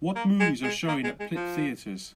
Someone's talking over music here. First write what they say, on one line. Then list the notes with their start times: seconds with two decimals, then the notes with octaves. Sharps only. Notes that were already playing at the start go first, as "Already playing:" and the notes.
What movies are showing at Plitt Theatres.
0.16 A#3
0.40 G#3
0.64 G#3
0.88 A#3
1.04 G#3
1.20 G#3
1.36 F3